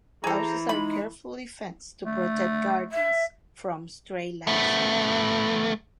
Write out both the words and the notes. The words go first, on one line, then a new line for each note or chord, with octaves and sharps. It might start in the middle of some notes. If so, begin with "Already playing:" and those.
Houses are carefully fenced to protect gardens from stray livestock.
E3 G#4 A4 C5 A#5
G#3 D#4 B5
A3
E5
A3 B3